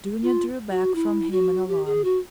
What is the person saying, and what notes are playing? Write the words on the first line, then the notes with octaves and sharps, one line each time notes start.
Dounia drew back from him in alarm.
F4
F#4
E4
F#4
G4
G#4
F#4